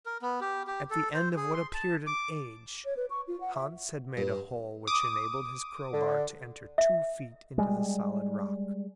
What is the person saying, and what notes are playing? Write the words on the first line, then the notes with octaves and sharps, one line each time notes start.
At the end of what appeared an age, Hans had made a hole which enabled his crowbar to enter two feet into the solid rock.
A#4
B3
G4
G4
A4
C5
G#4
C6
A5
D6
C#5
B4
C#6
F4
F#5
E5
G2
D6 D#6
D3
E5
G3 G#3